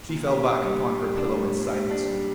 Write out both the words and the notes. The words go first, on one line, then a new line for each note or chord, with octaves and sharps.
She fell back upon her pillow in silence.
A#2
G4
D4
G3
A#2
G4
D4
G3
A#2
G4
D4
G3